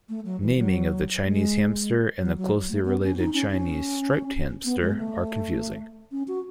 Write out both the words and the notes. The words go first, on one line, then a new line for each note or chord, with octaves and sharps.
Naming of the Chinese hamster and the closely related Chinese striped hamster are confusing.
A3
F#3
E3
F#3
G#3
F#3
F#3
A3
B3
C#4
D#4
C#4
C#4
B3
G#3
A3
C#4
F#4